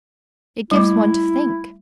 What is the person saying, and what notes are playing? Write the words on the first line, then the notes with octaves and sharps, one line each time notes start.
It gives one to think.
G3 A3 E4 D6